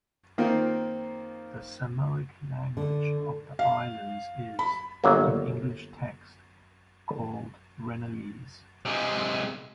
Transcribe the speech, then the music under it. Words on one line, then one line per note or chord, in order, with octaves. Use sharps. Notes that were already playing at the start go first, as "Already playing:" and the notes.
The Samoic language of the islands is, in English texts, called Rennellese.
D#3 A#3 C4 F4
D3
F5
B5
G1 F#3 A#3
C3 G#3